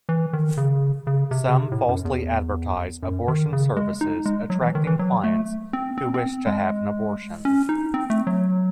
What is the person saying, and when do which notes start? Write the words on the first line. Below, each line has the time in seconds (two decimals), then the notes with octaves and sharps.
Some falsely advertise abortion services, attracting clients who wish to have an abortion.
0.09 E3
0.33 D#3
0.57 C#3
1.07 C#3
1.31 C3
1.49 C#3
1.56 C3
1.72 A2
1.89 F#2
2.05 E2
3.03 F#2
3.28 D#3
3.53 C#3
3.77 G#3
4.01 D#4
4.26 G#3
4.50 F#3
4.62 E3
4.75 D#3
4.87 E3
4.99 F#3
5.24 A3
5.73 C4
5.98 C4
6.14 C4
6.47 G#3
7.45 C#4
7.69 D#4
7.94 C4
8.10 A3
8.27 F#3